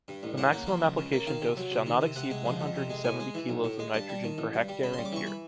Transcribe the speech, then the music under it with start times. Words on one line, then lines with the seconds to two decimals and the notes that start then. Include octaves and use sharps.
The maximum application dose shall not exceed one hundred and seventy kilos of nitrogen per hectare and year.
0.08 G2
0.23 A1
0.38 C#3 F#5
0.53 A#3
0.67 F3
0.82 C#2
0.97 C#3
1.12 A#3
1.27 D#3 F5
1.42 C3
1.57 F#3
1.71 C3
1.86 D#3
2.01 C3
2.16 C3 F#5
2.31 G#3
2.45 F3
2.60 F2
2.76 C3
2.90 G#3
3.04 A2 G#5
3.20 G#3
3.34 E3
3.49 B1
3.64 A2
3.79 G#3
3.94 G2 A5
4.09 G3
4.24 D#3
4.38 A1
4.54 G2
4.69 G3
4.83 C#3 B5
4.93 C6
4.98 G3
5.05 D6
5.12 E3 C#6
5.27 B5